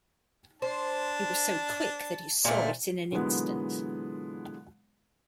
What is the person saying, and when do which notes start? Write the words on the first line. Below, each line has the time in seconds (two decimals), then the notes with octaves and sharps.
He was so quick that he saw it in an instant.
0.62 D4 C5 A5
2.45 A#2 A3 C5
3.11 A#2 D3 E3 F#3 G#3 B3